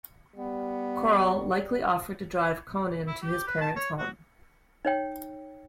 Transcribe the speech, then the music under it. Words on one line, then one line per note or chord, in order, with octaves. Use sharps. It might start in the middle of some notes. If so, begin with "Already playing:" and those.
Corll likely offered to drive Konen to his parents' home.
G3 B3
E4
G4
B4
A5
C#5
F#4
D#4 C#5 G5